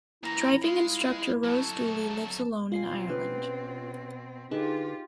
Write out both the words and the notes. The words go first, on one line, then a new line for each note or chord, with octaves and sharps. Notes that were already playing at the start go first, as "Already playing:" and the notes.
Driving instructor Rose Dooley lives alone in Ireland.
A#2 E3 E4 A#5
G#3 F4
F#3 A3 A5
B2 C4 F4 F5 G#5 C7
C#4 G4 B4
D3 D#4 F4 G4 G#4 B4